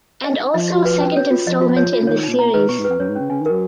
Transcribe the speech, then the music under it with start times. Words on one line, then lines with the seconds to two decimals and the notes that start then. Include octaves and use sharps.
And also second installment in this series.
0.24 D#5
0.40 D#4
0.54 F3 D#5
0.70 F#4
0.85 B4
1.00 C#4
1.17 C#5
1.31 F4
1.47 F3 D#5
1.61 F4
1.77 C#5
1.93 F4
2.02 C#3
2.07 D#3 C#5
2.23 A#2 D#4
2.38 B2 A#5
2.54 D#3 B4
2.68 B2 C#6
2.79 G#2
2.84 F2 B4
2.99 F#2 C#5
3.09 G#2
3.15 C#3 C#4
3.30 C#3 G#5
3.41 D#3
3.46 F#3 A#4